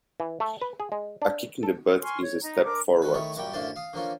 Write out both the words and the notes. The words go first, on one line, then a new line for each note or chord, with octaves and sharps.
A kick in the butt is a step forward.
E3
A3
B4
G#4
G#3
D4
A4
G#5 C6 C#6 F6
C#5
D#4 A#5
D4 A#4 D6
D#3 C#4 B4
D#3 A3 E4 C#5
F#2 A#2 G3 G5
F#2 A2 D3 F4 C5 D5
F5 D#6
D3 F3 A#3 C#4 F4